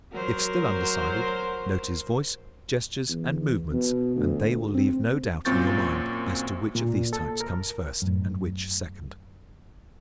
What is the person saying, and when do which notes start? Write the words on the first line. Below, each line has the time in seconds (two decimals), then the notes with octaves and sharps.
If still undecided, note his voice, gestures and movements and they will leave no doubt in your mind as to which of these types comes first and which second.
0.13 F#3 A#4 C5
3.09 E2
3.72 B2
4.16 D2
4.74 C4
5.45 F#2 A#2 C4 C#6 G6 A6
6.75 A#2
7.13 A4
7.40 A#4
8.02 F#2 A2